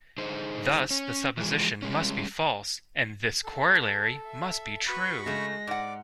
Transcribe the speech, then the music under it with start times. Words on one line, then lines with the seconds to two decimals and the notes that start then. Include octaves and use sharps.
Thus the supposition must be false, and this corollary must be true.
0.18 D3 D#4 G#4 C5
0.91 C#4
1.37 E3 F3 G#3
1.82 G3 G#3 C#4
3.44 A4
4.26 E5
4.87 F#4 B4 B5 C#6
5.26 C#3 G#3 A3 A#6
5.67 G#2 D5 F#5 D6